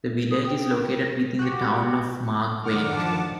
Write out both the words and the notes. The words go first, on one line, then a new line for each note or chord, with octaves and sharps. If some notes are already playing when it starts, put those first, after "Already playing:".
The village is located within the Town of Marquette.
D#6
G5
A#4
F#4 G4
F#2 D3 D#3 F#5 D6 F6
F3 A5